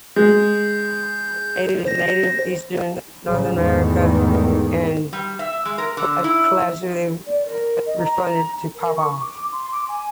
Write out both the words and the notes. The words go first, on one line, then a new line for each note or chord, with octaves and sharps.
It is native to eastern North America and collectively referred to as pawpaw.
G#3 G6
C5 A#6
A1 C#3 F#3 G3
E2 G#2 D#3 A3
G3
E5
G#3
A#4
D3
E4
D5
A#4
D#5
A#5
A#4
C#6
D6
C6
D6
G#5